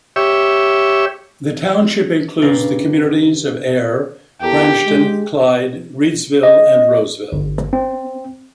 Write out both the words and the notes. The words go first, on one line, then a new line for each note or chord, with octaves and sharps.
The township includes the communities of Ayr, Branchton, Clyde, Reidsville and Roseville.
G4 C#5 E5
G2 C#3 A#4 D5
E2 G4 A4 A#4
G#3
D#5
G1
C4